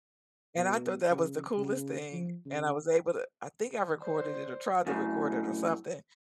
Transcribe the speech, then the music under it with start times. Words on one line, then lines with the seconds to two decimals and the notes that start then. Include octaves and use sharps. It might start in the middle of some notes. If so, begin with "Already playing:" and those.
And I thought that was the coolest thing, and I was able to I think I recorded it or tried to record it or something,
0.57 B2
1.11 C#3
1.57 C#3
2.12 F3
2.45 C#3
4.02 C5 D5
4.87 F#2 A2